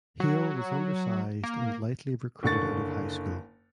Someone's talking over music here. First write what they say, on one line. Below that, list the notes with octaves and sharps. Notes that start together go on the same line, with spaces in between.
Hale was undersized and lightly recruited out of high school.
F#3
A#3
F#1 D3 C#6 A6